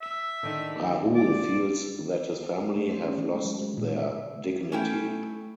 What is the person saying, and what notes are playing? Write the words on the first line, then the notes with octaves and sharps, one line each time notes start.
Rahul feels that his family have lost their dignity.
E5
D3 D#3 D#4
D5
G4
A3
C5
C#4
E3
G#3
F#3
G#3
A#2
E5
A3 C#4 E4 G5